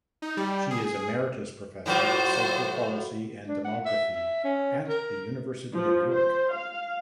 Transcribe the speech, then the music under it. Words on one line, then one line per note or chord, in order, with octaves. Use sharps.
She is Emeritus Professor of Social Policy and Demography at the University of York.
D#4
G3
G#4
A2 F#3 F4 F#4 C5
D4
F#5
E5
E5
C#4
A#4
F3
C5
F5